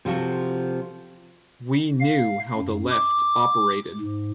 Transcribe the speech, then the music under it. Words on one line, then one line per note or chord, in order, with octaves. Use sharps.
We knew how the Left operated.
C3 F3 F#4 A4
F5
F#2
D6
G#2